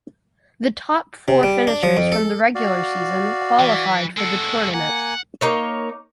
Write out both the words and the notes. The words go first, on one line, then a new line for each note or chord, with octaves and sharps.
The top four finishers from the regular season qualified for the tournament.
C3
G3
D4
F3
F2
A4
F#4 D5 F5
E3
G#3 F#4 A4
A#3 F#5 G#5
A#3 D#4 C#5